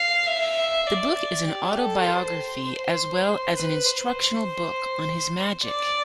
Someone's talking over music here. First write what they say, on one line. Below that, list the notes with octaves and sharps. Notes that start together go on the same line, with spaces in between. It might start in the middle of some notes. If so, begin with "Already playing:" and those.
The book is an autobiography as well as an instructional book on his magic.
Already playing: F5
E5
D5
G4
A4
C5
C5
C5
B4
C5
D5